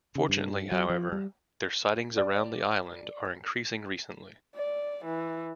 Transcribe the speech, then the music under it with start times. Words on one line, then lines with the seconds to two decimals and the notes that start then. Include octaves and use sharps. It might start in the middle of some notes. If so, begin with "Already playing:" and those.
Fortunately, however, their sightings around the island are increasing recently.
0.15 C#3
0.29 G2
0.72 F#3
0.89 F3
1.12 G3
2.17 D5
4.55 D5
5.05 E3